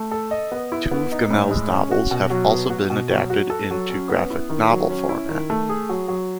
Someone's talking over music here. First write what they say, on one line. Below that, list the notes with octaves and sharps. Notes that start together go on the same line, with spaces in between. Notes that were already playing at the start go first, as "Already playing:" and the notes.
Two of Gemmell's novels have also been adapted into graphic novel format.
Already playing: A3
A4
D#5
B3
E4
B3
D#4
A2
G#3
C#4
F#4
B2
F#3
B3
F#4
B2
F#3
F#4
A4
F#3
C#4
B3
E4
D#3
F#3
C#4
E4
D#3
A3
G#4
F#3
F#3